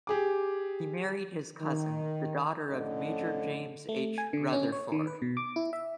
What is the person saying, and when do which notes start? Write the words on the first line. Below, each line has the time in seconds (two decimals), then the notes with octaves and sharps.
He married his cousin, the daughter of Major James H. Rutherford.
0.07 G4 G#4 D6
1.61 D#3
2.69 F2 A2 D3 C#4 A4 D#5
3.89 A3
4.18 G#5
4.33 D3
4.53 C#4
4.72 C#5
4.92 D#3
5.07 B4
5.22 B2
5.37 D6
5.56 E4
5.73 E5